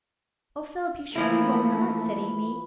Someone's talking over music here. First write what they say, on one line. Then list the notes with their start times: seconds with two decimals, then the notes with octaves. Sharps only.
'O Philip, you surely will not?' said Amy.
1.16 E3 F3 A3 A#3 E4